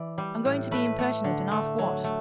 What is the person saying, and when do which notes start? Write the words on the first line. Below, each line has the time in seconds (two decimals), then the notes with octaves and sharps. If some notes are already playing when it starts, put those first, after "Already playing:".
I'm going to be impertinent and ask what.
Already playing: E3 D5
0.18 G3
0.45 A2
0.71 A3 B4
0.98 A3
1.24 D3
1.51 A3
1.79 F#3
2.04 A3